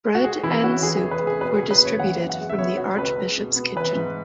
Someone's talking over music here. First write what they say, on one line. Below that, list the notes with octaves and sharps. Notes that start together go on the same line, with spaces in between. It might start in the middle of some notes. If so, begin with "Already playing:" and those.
Bread and soup were distributed from the archbishop's kitchen.
F#4
G#3 G#4
E3 E4
C#4 F#4
E3 G#4
G#4
E2
B4
G#3
G#4
B2 B4
G#4
E2
B4
F#1 C#5
E3 F#5
F#2
F#5
G#3
E5
B3 C#5
B2 F#4
C#2 B4
G#3
B2
B3
E3 B4
G#2